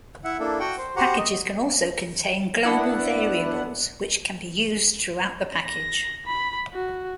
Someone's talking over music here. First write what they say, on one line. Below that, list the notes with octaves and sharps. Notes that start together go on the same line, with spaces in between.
Packages can also contain global variables which can be used throughout the package.
E4 E5 F#5
A#3 D4 E4 A4
F#4 F#5 G5
C5
F#4 G4 C5 F#5 A#5
D#5
B3 D4 E4 F#5
A#6
B5
F#4